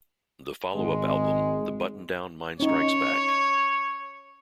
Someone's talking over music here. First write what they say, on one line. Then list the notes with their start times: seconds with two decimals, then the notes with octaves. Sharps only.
The follow-up album, The Button-Down Mind Strikes Back!
0.75 G#1 G#3
2.60 C#4 D#4 C#5